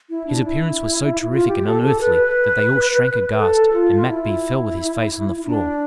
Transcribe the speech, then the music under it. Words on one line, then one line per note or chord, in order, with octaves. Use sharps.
His appearance was so terrific and unearthly that they all shrank aghast, and Mat Bee fell with his face on the floor.
E4
D4
E4
F4
G4
A4
A4
B4
A4
F4
E4
D4